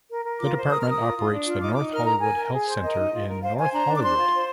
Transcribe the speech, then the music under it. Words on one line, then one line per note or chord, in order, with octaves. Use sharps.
The department operates the North Hollywood Health Center in North Hollywood.
A#4
A#4
F4 D6
C5
A#4 D#6
F6
A#4
D#6
F4
F4
D4
F4
D#4 D6
D#4 D6
A#4 F6
A#4 A#5
A#4 G#5
A#4
G#4
C5
A#4 D#5
D#4
F4
A#4
C5 F5
C5 G#5
D4 A#5
D4
D6
C5 C6
F4
C5